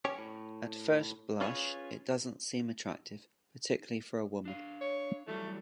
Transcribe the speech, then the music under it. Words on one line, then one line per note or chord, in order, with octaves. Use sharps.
At first blush, it doesn't seem attractive, particularly for a woman.
C#4 G4 C#5
A2
C#4 F4 G#4 B4 C#5
D4 F5
C#5
E3 F#3 G3 A3